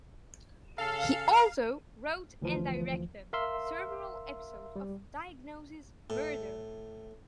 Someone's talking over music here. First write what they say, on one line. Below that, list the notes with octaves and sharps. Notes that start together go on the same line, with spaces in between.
He also wrote and directed several episodes of "Diagnosis: Murder".
C#3 G#4 A4 F5
D2 E3 F3
A#4 E5 F5 C6 E6
G3
A2